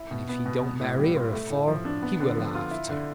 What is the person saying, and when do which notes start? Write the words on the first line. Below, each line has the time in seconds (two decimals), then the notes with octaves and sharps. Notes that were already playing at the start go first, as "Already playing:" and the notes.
And if he don't marry her afore he will after.
Already playing: E4
0.11 B2
0.29 B3
0.46 B2
0.63 B3
0.81 A2
0.98 G3
1.16 F4
1.33 A3
1.50 A2
1.68 F3
1.85 D4
2.03 B3
2.20 D3
2.37 F3
2.55 F4
2.71 E4
2.89 D3